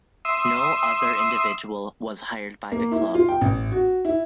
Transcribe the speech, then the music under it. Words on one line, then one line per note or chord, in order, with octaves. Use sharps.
No other individual was hired by the club.
E5 C6 D#6 E6
A#3
E4
F4
G5
A1
F#4
E4